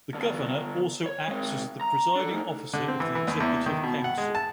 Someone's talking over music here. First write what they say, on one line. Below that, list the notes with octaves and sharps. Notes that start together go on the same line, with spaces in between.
The Governor also acts as the Presiding Officer of the Executive Council.
D3 B3
C#5
G#3 C4
A#5
D4 A4
A3 D#4
D3
C4
E3
E3
D#2
E2
D#3
B2
F#5
G#3
A5